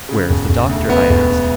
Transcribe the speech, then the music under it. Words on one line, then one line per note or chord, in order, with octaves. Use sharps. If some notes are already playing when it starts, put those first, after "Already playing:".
"Where is the Doctor?" I asked.
C#3
E1
E1
D2
D2 B3
E1
E1